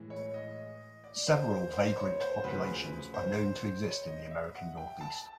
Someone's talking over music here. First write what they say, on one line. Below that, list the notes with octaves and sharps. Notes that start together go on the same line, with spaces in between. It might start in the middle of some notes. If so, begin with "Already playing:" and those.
Several vagrant populations are known to exist in the American Northeast.
Already playing: A2 E3 G#3
C#5
D#5
D5
C5
C5
C5
C#5
C5
D2 C#3 F3 B4
C5
C#5
D#5
E5
F#5
G5
A5